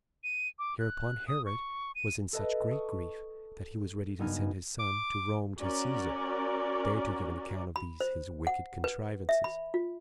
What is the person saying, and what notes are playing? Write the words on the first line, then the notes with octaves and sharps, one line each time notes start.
Hereupon Herod was in such great grief, that he was ready to send his son to Rome to Caesar, there to give an account of these his wicked contrivances.
D#7
D6
F#6
D#6
C#6
D#7
A4 B4 D#5 E5 A5
A5 C#6 D#6
F#1 G2 B3 D#4 G#5 F6
D6
C#4 F#4 A#4 D5
B5
C5
F#5
B4
E5
B5
F4